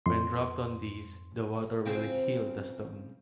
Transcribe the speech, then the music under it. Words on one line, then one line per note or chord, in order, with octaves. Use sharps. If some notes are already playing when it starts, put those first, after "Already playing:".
When dropped on these, the water will "heal" the stone.
F2 C6
C#3 C4 F4